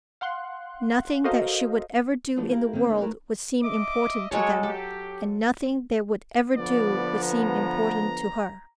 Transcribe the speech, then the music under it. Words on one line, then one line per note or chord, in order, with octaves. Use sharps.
Nothing that she would ever do in the world would seem important to them, and nothing they would ever do would seem important to her.
F5 F#5 C6 F#6
F#4 A4 A#4 C5 D#5 F5
E3 F3 A3 B3 D4
E4 G4 A#4 F5
D#3 A#3 C4
D3 A#3 C#4 D#4
A3 E4 A#4 B4
D#5 E5 D6
F#3 G#3 A4 C#5
G4 A4
D3 F3 B3 D5
A#5